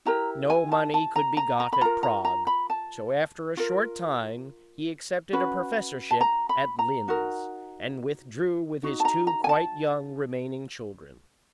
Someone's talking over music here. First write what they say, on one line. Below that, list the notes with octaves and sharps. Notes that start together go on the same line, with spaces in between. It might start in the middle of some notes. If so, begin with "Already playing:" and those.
No money could be got at Prague, so after a short time he accepted a professorship at Linz, and withdrew with his two quite young remaining children.
E4 G4 A#4 A#5
G#5
A5
A5
A#5
A#5
A#5
B5
F4 A#4 A#5
A#5
A#5
B5
A5
F4 A#4
C#4 F#4 B4
A5
A#5
B5
A#5
D#4 F#4 A#4
D#4 F#4
A5
A#5
A#5
G#5
A5